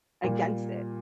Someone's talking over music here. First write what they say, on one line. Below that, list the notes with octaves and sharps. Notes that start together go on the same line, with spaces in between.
against it.
A#2 G3 A#3